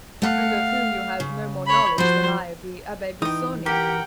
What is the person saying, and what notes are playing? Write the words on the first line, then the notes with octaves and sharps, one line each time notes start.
"And of whom you have no more knowledge than I of the Abbe Busoni?"
A3 F5 F#5
C#3
C#5 B5
F3 F#4 C5
E3 D#4 G5 D#6
G4 A#4 F#5 G5